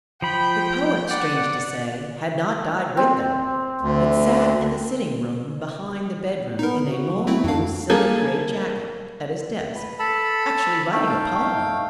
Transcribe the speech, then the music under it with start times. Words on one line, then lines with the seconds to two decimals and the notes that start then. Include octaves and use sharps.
The poet, strange to say, had not died with them, but sat in the sitting-room behind the bedroom in a long loose silky-grey jacket, at his desk--actually writing a poem!
0.22 F3 G5 B5
1.11 D5 F#5
2.97 C4
3.81 D2
6.59 B3 D#4 A#4
6.88 F#4
7.12 F#3
7.27 A3 C4 E4
7.44 F2 D4 F5
7.90 G3 A#3 G#4 A4
9.75 B4
9.99 A4 A5 B5
10.93 A3 D#4 F5 G5 C#6
11.15 C#5